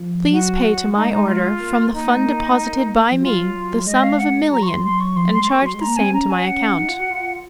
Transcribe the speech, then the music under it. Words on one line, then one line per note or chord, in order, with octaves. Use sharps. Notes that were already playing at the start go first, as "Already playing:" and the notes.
Please pay to my order, from the fund deposited by me, the sum of a million, and charge the same to my account.
Already playing: F3
F#3 F#4
G#3 D#4
D#4
F4
A#3
D#4
G#3
A#3
F3
F#3 F4
F#3
G#3 D#5
F5
F#5
F#3 A#5
C#6
C6
C6
C#6
F3 C6
F#3
C6
G#3
C6
A#3 C#6
F#3 C6
G#3
A#5
A#3
C4 G#5
C#4 A#5
G#5
F#5
D#4
F4
F#4
F4